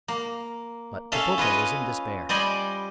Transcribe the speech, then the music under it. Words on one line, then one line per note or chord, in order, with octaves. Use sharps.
But Popopo was in despair.
A#3
C#4 A4 E5 F5
F4 B4 C#5 D#5
G3 C5 D5 D#5 G#5 B5